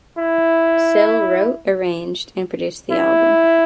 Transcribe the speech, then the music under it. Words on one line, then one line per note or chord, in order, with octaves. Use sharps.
Sill wrote, arranged, and produced the album.
E4
E4